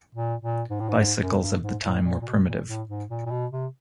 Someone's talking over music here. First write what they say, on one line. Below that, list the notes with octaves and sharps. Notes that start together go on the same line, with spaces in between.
Bicycles of the time were primitive.
A#2
A#2
G#2
A2
G#2
G#2
F#2
G2
G#2
A2
A#2
A#2
B2
A#2
A2
G#2
A#2
A#2
B2
C3